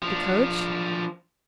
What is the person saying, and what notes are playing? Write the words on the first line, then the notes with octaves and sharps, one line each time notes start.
"The coach?"
F3 D4